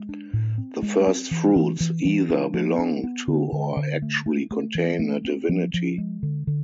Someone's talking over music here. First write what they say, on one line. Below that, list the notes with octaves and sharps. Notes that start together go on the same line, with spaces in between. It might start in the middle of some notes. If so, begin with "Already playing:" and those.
The first-fruits either belong to or actually contain a divinity.
Already playing: G#3
D4
A2
C4
G#3
C4
E3
E3
E3
E3
D4
F3
D4
B3
D3
D3
D3
A3
A3
A3
E3
A3
C4
F3
F3
G#3
D3
D3